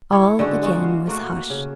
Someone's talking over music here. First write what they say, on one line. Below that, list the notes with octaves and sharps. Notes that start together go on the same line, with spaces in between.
All again was hushed.
E4 C#5
D3 G#3 F#4
G#3 A#3 F#4
F5
A3 A#3 F#4
C#3